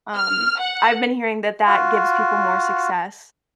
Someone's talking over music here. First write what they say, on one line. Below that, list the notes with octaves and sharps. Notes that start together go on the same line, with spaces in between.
um, I've been hearing that that gives people more success,
F6
F#5
F4 F#4